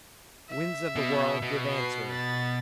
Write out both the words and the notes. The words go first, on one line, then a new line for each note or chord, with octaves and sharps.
Winds of the world, give answer!
E5
B2
B2
B4 C7
B5 A6